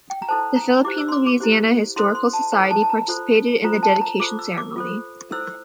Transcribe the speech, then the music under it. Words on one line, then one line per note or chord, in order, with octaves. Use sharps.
The Philippine-Louisiana Historical Society participated in the dedication ceremony.
G5
A#5
E4 A4 C5 A5
A#5
E4 G4 C5 D6
E6
C6
D6
D6
E4 G4 C5
E4 A4 C5 C6
C6
A5
E4 A4 C5 A#5
A5
A5
A#5
F4 A4 C5
F4 A4 C5 A#5
A5
A#5
F4 A4 C5 D6
E6
D6
F4 A4 C5
E4 A4 C5 E6